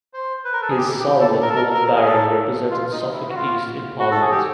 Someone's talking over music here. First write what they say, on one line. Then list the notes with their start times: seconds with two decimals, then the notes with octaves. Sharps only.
His son, the fourth Baron, represented Suffolk East in Parliament.
0.14 C5
0.45 B4
0.53 A#4
0.62 A4
0.70 G#4
0.77 G4
0.99 G4
1.20 A4
1.42 A#4
1.49 A4
1.56 A#4
1.74 A#4
1.96 G#4
2.06 A4
2.71 F4
2.91 D#4
3.13 E4
3.30 F#4
3.35 F4
3.99 F#4
4.11 A4
4.21 G#4
4.31 G4